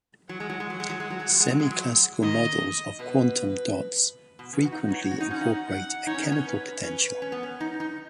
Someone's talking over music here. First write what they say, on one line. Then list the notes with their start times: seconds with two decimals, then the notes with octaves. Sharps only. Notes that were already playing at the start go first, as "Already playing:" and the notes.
Semiclassical models of quantum dots frequently incorporate a chemical potential.
0.29 F#3 F#5
0.40 G#3
0.49 F#3
0.60 G#3
0.70 F#3
0.80 G#3
0.90 F#3
1.00 G#3
1.10 F#3
1.20 G#3
1.30 F#3
1.40 G#3
1.50 F#3
1.60 G#3
1.70 F#3
2.22 D#3 D#5
2.99 B2 B4
4.39 B2
4.53 C#3 B4
4.65 F#4
4.72 D#4
4.88 F#4
4.92 D#4 C#5
5.11 F#4
5.20 D#4
5.30 C#4 F#5
5.41 D#4
5.68 F#5
6.06 D#4 C#5
6.14 C#4
6.23 B3
6.32 C#4
6.45 B4
6.83 C#4 B4
7.22 C#4
7.32 B3
7.43 C#4
7.61 D#4
7.80 D#4